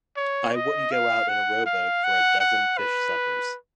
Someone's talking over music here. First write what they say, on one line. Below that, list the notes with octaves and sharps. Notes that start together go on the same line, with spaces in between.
I wouldn't go out in a rowboat for a dozen fish suppers.
C#5
D#5
F5
F#5
F5
F#5
F#5
B4